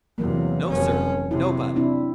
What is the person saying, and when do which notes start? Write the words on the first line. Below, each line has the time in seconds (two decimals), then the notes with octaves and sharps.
"No, sir, nobody."
0.18 E2 C3 E3 F#3 A#3
0.69 F1 F#3 C#4
1.31 C3 E4
1.76 C4 D4 E4